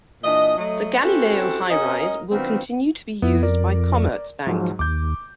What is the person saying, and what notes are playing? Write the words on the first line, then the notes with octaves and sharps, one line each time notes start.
The Gallileo highrise will continue to be used by Commerzbank.
A#2 E3 D4 D#5
F#3 A3 D#5
C4 C#4 E4 F#4 G4 A4
C#4 F#4 A#4 D#5
D#3 F#3 B3 C4 D4 F4
F2 B3 E4
A#4 D5
G#2 F3 F#3
D#2 D6 G6